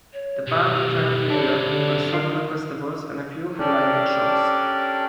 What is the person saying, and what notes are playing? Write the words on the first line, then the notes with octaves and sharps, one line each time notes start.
The band returned to Europe for several festivals and a few headlining shows.
C#5
B1 D#3 G4
G3
F#3 D4 E4 C#5
D3
F4 A#4
C#4 D4 G4 A4 A#4 D5